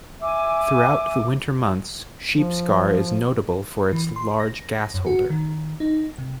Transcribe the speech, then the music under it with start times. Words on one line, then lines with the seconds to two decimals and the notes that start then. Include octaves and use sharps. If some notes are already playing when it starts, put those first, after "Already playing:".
Throughout the winter months, Sheepscar is notable for its large gasholder.
0.22 E5 G#5 D6
2.35 F3
3.93 E3
4.16 C6
4.40 A#6
4.94 F#2
5.06 F#4
5.30 D#3
5.80 D#4
6.18 C3